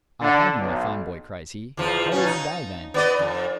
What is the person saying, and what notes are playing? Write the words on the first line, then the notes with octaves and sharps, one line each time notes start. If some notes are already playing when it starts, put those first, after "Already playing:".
"I'll have you, my fine boy," cries he; "how will you die, then?"
D3
B1
E2 F3
B2 C#4
D#4
B3 D5 D#5
F2